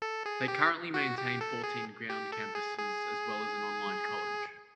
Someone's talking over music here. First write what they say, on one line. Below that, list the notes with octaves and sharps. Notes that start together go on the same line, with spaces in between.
They currently maintain fourteen ground campuses as well as an online college.
A4
G#4
G4
F#4
G4
A4
G#4
G4
A4
G#4
G#4